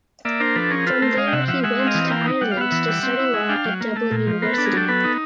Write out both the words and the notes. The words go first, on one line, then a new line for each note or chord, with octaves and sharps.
From there he went to Ireland to study law at Dublin University.
A#3 D5 E5
D4 A#4 C5
F3 A4 B4
C#4 G#4 A#4
F4 A4 B4
A3 A#4 C5
G#3 D#5 F5
G5
C3 E5 F#5
F3 E5 F#5
G#3 E5 F#5
C4
D#5 F5
E3
A#3 F5 G5
D#4
G3 F#5
F5
B3 E5 F#5
E3
G3
C4
E4
G#3
D4 F5 G5
F#3
A#3
A3
A#2
F3
B3 A#4 C5
D4 A4 B4
G#4 A#4
F#3 G4 A4
B3 A4 B4
D#4